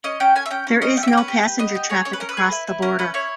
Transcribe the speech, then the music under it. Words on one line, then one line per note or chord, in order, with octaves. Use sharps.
There is no passenger traffic across the border.
C#4 D#5
C#4 G5
C#4 G#5
E5
C#4 G5
C#4
C#4 D#5
C#4 G5
E5
G5
C#4 B4
G4
G4
B3 D#5
G4
G#4 C#5
C#4 C#5
B4
C#4 A#4
B4
G#4
E4
E4
C#4 A#4
C#4 B4
E4 C#5